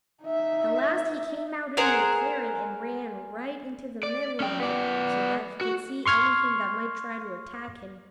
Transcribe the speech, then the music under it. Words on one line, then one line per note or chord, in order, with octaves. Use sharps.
At last he came out into a clearing and ran right into the middle of it so that he could see anything that might try to attack him.
D#4 E5
G#4 A#4 C5 F#5
D5
C#4 G5
B3 D5
F#4
C6 C#6 F6 G#6